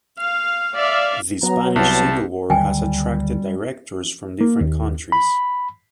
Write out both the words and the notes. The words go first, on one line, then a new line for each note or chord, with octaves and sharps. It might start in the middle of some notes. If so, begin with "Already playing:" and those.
The Spanish Civil War has attracted directors from different countries.
F5
D5 E5 F5
F#3 B3 A#5
C2 A5
D2 D#3 F#3 G3 G5 G#5
A#3
D#2
B5